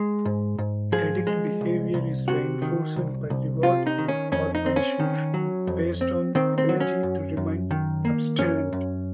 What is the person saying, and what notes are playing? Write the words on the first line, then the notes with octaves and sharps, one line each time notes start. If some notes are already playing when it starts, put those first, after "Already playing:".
Addict behavior is reinforced, by reward or punishment, based on ability to remain abstinent.
Already playing: G#3
G#2
G#2
F3 G#4
G#3
C2
C2
C3 F#4
D#3
C2
C2
C3 F4
D#4
D#3
C#4
F2 C#4
D#4
C4
C#4
D#3
F#3
F2
C4
D#3 C4
C4
F#3
C#4
F#2
F#2
D#3
A#3
F#2 C#4
F#2